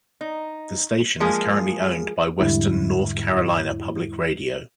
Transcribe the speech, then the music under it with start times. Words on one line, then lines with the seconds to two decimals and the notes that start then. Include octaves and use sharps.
The station is currently owned by Western North Carolina Public Radio.
0.21 D#4
1.20 F3 G#3 A#3 G#4
2.40 E2 G#2 D3 G3 E4